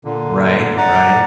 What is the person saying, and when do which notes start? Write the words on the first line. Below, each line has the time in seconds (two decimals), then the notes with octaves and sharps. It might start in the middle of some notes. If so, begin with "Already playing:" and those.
Right, right.
0.05 A#2 D3
0.77 D5 F#5 A#5 D6